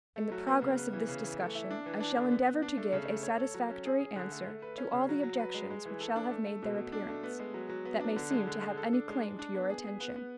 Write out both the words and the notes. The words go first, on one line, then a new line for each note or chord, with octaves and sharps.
In the progress of this discussion I shall endeavor to give a satisfactory answer to all the objections which shall have made their appearance, that may seem to have any claim to your attention.
A3
F#3
B3
C#3
B3
E3
C#3
E3
A3
E4
D4
E3
D4
D3
B3
B3
D4
A3
C#3
A3
C#5
A4
F#3
C#4
G#4
G#4
D3
A3
A3
B4
C#4
C#3
F#3
F#3
B4
G#3
G#3
E3
A4
D4
A3
A3
B2
B2
D4
A3
B3
G#3
F#3
F#3
B3
D4
D3
G#3
D3
G#3
A4
D4
G#3
G#3
D4
B3
G#4
G#4
B3
B3